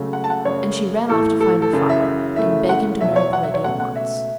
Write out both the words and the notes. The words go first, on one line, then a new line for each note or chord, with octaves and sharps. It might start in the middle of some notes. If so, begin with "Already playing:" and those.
And she ran off to find her father, and beg him to marry the lady at once.
Already playing: C#2 C#3 F#3 A3
F#5
A5
F#5
F#2 C#3 A3 C#5
A2 E3 A3 A4
A4
A4
F#2 C#3 E3 A4
E5
F#2 C#3 E3 A3 E5
F#5
E2 B2 F#3 E5
C#5
F#5
E5
C#5
C#2 B2 A3 F#5
F#5
E5